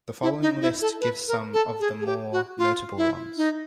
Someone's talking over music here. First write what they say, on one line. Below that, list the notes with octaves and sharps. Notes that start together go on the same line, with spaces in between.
The following list gives some of the more notable ones.
E4
D#4
E4
A4
B4
A#4
A4
G#4
G#4
G4
F#4
F4
E4
D#4